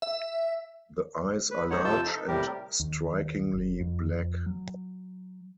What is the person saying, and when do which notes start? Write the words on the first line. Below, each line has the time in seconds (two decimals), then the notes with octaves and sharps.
The eyes are large and strikingly black.
0.02 E5
1.51 B4
1.71 G#3 B3 D#4 C5 C#5 F#5
1.84 F2 C3 F4 A5 E6 G6
2.05 D#4 A4
2.28 A2 C3 G3 G4 A#4
2.80 D#2
3.53 F#1
3.80 F2
4.46 F#3